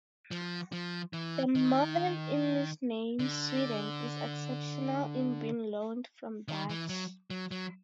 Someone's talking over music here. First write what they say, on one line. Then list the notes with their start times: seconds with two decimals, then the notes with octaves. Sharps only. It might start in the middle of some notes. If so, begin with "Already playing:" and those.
The modern English name "Sweden" is exceptional in being loaned from Dutch.
0.31 F3
0.72 F3
1.13 E3
1.55 D#3
3.19 D3
6.48 D#3
6.69 E3
6.89 F#3
7.30 F#3
7.51 F#3